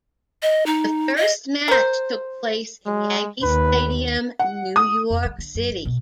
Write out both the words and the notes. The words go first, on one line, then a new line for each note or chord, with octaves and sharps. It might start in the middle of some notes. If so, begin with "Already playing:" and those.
The first match took place in Yankee Stadium, New York City.
D#5
D#4
D#5
A#4 C5
G#3
D#2 B4
F#5
D#6
F2
G#3
D3
F#2
G1
B2 B3